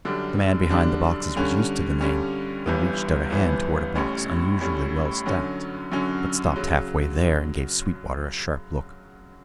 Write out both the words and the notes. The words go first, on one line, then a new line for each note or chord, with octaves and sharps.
The man behind the boxes was used to the name and reached out a hand toward a box unusually well stacked, but stopped half-way there and gave Sweetwater a sharp look.
F#2 D3 G3 D4
F#2 D3 G3 D4
G2 D3 G3 C#4
G2 D3 G3 C#4
G1 G2 E3 B3
G1 G2 E3 B3
A1 A2 G3 C#4
A1 A2 G3 C#4
F#2 D3 F#3 C#4
F#2 D3 F#3 C#4
C#3 F#3